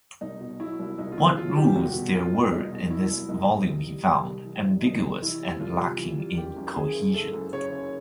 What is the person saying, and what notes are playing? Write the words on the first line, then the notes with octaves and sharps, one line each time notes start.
What rules there were in this volume he found ambiguous and lacking in cohesion.
C2 D#4
B2
F#3 E4
C2
C2 D#4
F4
B2 E4
F#3 F4
C2 G4
C2 F#4
B2
F#3 F4
C2
C2 D#4
B2
F#3 E4
C2
C2 D#4
C3
E3
G3
C2
C3
E3
G3
C2 D#4
C3
E3 E4
G3
C2 F4
C3
E3
G3
F#1 G4
F#2
C#3 G#4
F#1
F#1 A4
F#2
C#3 C#5
F#1